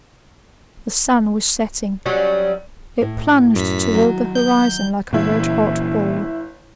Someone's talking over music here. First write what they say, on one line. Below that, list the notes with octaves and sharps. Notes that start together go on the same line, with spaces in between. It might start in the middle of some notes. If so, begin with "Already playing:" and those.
The sun was setting; it plunged towards the horizon like a redhot ball.
F#3 G3 C#4
A2
F#2 B6
D#3 F#3
G6
G1 A#2 E3 E4